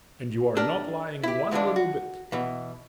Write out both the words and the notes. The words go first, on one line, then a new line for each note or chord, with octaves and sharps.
And you are not lying one little bit.
D4 G4 A4 A#4
E4 G4
D3 E3 F3 G#3 D4
F#4
B2 E3